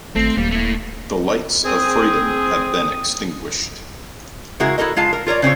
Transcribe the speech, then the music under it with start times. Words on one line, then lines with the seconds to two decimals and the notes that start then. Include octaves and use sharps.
The lights of freedom have been extinguished.
0.16 G#1 A3 C4
0.37 D#1 G3 A#3
0.51 A3 E4
1.65 C4 G#4 D#6
4.60 C#3 G#3 E4 F#4 A#4
4.78 E4 F#4 A4 A#4 D#5
4.96 G#3 F4 F5 A5
5.13 A#4
5.26 F4 A#4 C#5 D5
5.42 C#3 C4 F4 C#5